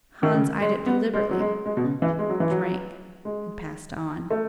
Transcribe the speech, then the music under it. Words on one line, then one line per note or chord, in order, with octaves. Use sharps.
Hans eyed it deliberately, drank, and passed on.
D#3
C#3
G#3
B3
G#3
F#3
G#3
G#3
B2
C#3
E3
G#3
F#3
E3
F#3
G#3
A3